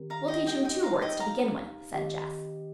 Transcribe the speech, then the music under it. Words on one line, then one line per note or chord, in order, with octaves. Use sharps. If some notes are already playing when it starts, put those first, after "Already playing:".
"We'll teach him two words to begin with," said Jess.
Already playing: D#3 C4 G4 A#4
F5 A#5
D#5 G5
G3 D#4 G4 D#5 G5
D#5 G5
F5 A#5
D#5 G5
F5 A#5
D#3 C4 G4 D#5